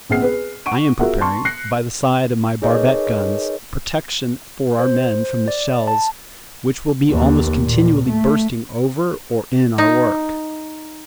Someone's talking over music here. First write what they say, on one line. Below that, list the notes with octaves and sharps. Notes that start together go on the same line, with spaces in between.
I am preparing, by the side of my barbette guns, protection for our men from the shells which will be almost continually bursting over or in our work.
A#1 B3 C4 G#4 F6 C7
G#4 B4
F#5 C#6 D7 D#7
F4 F#4 G#4 A#4 E5 F#5
A5 C6 C#6
F#6 A#6 C7 C#7
D#4 G#4 A#4 B4 C#5 D#5
C5
D5
A5
D#2
A#2
A3
D#4